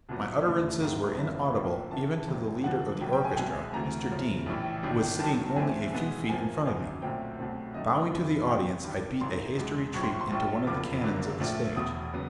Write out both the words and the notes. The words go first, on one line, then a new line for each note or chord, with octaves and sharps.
My utterances were inaudible even to the leader of the orchestra, Mr. Dean, who was sitting only a few feet in front of me. Bowing to the audience, I beat a hasty retreat into one of the canons of the stage.
C2 A#2 F#3 B3
E1 D#2 C#3 F3 A3
G#1 G#2 D#3 F#3 A3
F#1 F2 D3 F3 A#3 E5
B1 A2 F3 A#3
F#2 C#3 E3 A5
F#1 F2 C3 D#3 G#3
D#2 D3 F3 A#3 F#5
B1 A2 F#3 G5
G5
G#5
G5
C2 B2 G#3 G#5
D2 C3 E3 A3 A#5
F#2 C#3 F3
A#1 A2 E3 G3
G1 F#2 D#3 G3
G2 D#3 F#3 A5
C2 C3 E3 A3 C4 G#5
B1 B2 G#3 B3
F2 C3 F3 A#3 G#5
G#1 F#2 D3 F#3
B1 A#2 F#3 A3 C4 G5
C2 B2 F#3 A3 C4
F#2 D#3 F#3 A3 D#5
F1 F2 C#3 E3
F#1 E2 C3 G5
G2 D#3 G3
A1 G#2 E3 C6
E2 B2 G#3
B1 A2 F3 C#6
C6
C#6
C6
A#1 A2 F3 C#6
F1 E2 C#3 F3 A#3 D6
F#1 F#2 D3 F#3 A#3
A#1 A#2 F3 A3
E1 E2 B2 D#6
C#3 F#3 B3